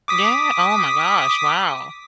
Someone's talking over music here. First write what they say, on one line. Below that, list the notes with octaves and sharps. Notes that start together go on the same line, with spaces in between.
Yeah, oh my gosh, wow.
D6 D#6 B6